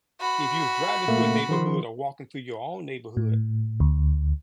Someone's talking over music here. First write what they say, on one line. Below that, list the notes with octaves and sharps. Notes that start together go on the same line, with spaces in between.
if you were driving through a neighborhood, or walking through your own neighborhood,
F#4 B5
A#2 A3 A#3
D#3 F3 C6
A2
D2